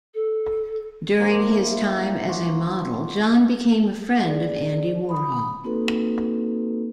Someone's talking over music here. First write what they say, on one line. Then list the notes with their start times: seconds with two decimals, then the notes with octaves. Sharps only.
During his time as a model, John became a friend of Andy Warhol.
0.14 A4
1.18 G#2 A#3 D4 C5
1.53 E4 F5
2.28 D4 F4 F#4 G#4
4.23 G#4 D5
5.09 B5 D#6
5.63 A#3 C4 D#4 F#4 A4 B4